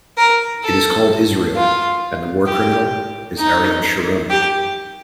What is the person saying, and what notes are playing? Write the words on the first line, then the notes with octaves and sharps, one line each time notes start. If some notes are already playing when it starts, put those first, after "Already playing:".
It is called Israel, and the war criminal is Ariel Sharon.
A#4
A4
F4
G4
D#4
G4